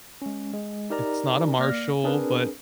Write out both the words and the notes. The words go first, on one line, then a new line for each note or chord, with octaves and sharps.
it's not a Marshall, but
G#3 C#4
G#3
D#4 G4 A#4 D5 A#5
A#3 D5 F6 A#6
C4 D4 G#4 A#4 B4